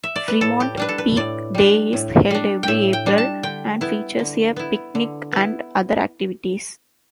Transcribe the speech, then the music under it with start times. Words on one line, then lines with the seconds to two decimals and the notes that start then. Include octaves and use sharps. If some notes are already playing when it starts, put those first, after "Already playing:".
Fremont Peak Day is held every April, and features a picnic and other activities.
0.03 E5
0.16 D5
0.28 B4
0.41 A2 A4
0.60 G4
0.77 G3 D4 B4
0.89 A4
0.98 B4
1.16 A2 D5
1.55 G3 D4
1.93 A2
2.31 G3 D4
2.63 A2 E5 G5
2.93 G5
3.06 G3 D4
3.18 A5
3.43 D3 G5
3.81 B3 E4
4.19 D3
4.56 B3 E4
4.95 D3
5.32 B3 E4